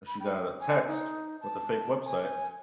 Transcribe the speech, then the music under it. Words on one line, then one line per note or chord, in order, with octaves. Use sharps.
she got a text with a fake website
B5
G5
G#5
D#4
A5
G#5